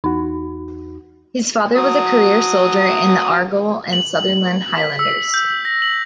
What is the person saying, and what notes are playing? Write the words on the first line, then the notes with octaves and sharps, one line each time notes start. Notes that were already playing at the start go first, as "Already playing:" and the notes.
His father was a career soldier in the Argyll and Sutherland Highlanders.
E2 D#4 F#4
F#3 D#6
F#7
B6
E6
G6
A#6
F#7